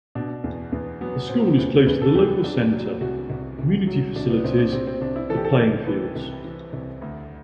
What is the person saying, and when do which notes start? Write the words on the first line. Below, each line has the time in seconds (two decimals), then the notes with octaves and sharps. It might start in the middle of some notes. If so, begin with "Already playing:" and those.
The school is close to the Local Centre, Community Facilities, the playing fields.
0.15 B2 D4
0.44 E2
0.72 E2 B3
1.01 F#3 B3
1.29 B2 C4
1.58 E2 B4
1.86 E2 B4
2.02 A4
2.15 E2 G4
2.44 F#3 D4
2.72 F#3
3.01 C2 F#4
3.30 C2
3.59 C2
3.87 F#3
4.16 C2 D4
4.30 B3
4.44 C2 C4
4.58 D4
4.72 C3 C4
4.87 C4
5.01 C2 D4
5.16 E4
5.30 E3 A4
5.37 G4
5.45 A4
5.58 E3
5.87 E3 B4
6.16 C2
6.44 E3
6.73 C2
7.02 D2